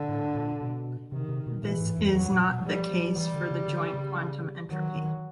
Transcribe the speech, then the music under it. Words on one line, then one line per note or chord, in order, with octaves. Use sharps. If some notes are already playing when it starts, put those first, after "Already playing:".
This is not the case for the joint quantum entropy.
Already playing: D3
A2
A#2
B2
C3 D#3
C3
B2
A#2 E3
G#2
F2
F2 F#3
A#2
B2
F3 G3
F3
E3 G3
D3
C#3
D3
C#3
D#3 F#3
D#3